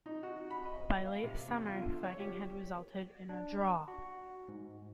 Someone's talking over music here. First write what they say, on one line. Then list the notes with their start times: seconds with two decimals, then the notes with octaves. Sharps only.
By late summer, fighting had resulted in a draw.
0.06 D#4
0.23 F#4
0.51 B5
0.65 D#5
1.06 F5
1.23 C3
1.48 E2
1.67 F4
1.81 D3
2.03 C#5
2.19 G4
3.29 D4
3.88 F#4
4.48 G#2